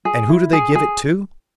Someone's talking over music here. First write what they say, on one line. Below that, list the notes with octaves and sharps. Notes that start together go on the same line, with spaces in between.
And who do they give it to?
G#4
E4
G#4
G#4